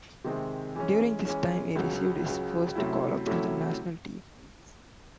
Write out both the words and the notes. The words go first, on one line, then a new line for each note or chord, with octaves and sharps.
During this time, he received his first callup to the national team.
C3 D#3 G#3 C4
E3 G#3 C#4
E3 G#3 C#4
C#2 C#3 F#3
C#2 C#3 F#3
C3 F#3 A3 C#4 E4
C3 F#3 A3 C#4 E4